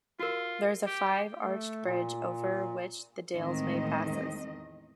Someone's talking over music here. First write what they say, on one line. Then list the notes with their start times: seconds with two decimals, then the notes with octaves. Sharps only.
There is a five-arched bridge over which the Dalesway passes.
0.20 F4 F#4 A#4
0.87 G4
1.35 A3
1.85 A#2
3.35 E2 A2 D#3 G#3 C4 D#5